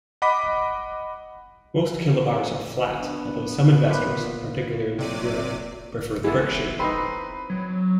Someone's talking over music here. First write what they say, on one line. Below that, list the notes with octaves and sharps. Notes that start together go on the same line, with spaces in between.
Most kilobars are flat, although some investors, particularly in Europe, prefer the brick shape.
D#5 F#5 B5 D6 B6
B3 D4
A#2 F4 B4
C3 F#3 D5 D#7
E3 G#3 B3 E4 A4
C4 D#4 B4 C7
F#3